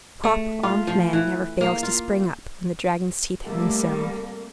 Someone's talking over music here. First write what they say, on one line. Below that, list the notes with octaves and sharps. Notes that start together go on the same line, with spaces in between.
"A crop of armed men never fails to spring up, when the dragon's teeth have been sown."
A3
F4
F3
E3
A#3
F4
C3 G3 A3 A#3 A4